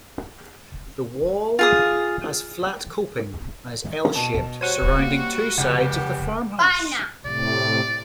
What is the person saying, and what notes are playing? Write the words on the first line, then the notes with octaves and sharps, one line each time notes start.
The wall has flat coping and is L-shaped, surrounding two sides of the farmhouse.
F4 G#4 D#6
B2 A5
G3 F#4 C5 C#5 D#7
A#3
F1 C#2 B3 C#4 G4 F#5
A2 C3 D5